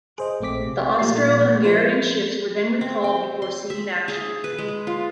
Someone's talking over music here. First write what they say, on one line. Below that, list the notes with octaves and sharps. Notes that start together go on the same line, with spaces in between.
The Austro-Hungarian ships were then recalled before seeing action.
G#4 C5 D#5
A#1 A3 C4 D6 B6
C3
A#2 F3 G3 A3 A6 C7
F3 G#3 E4 B4 C5
C4
G5
C6
E5
G#4
B4
G#3
F4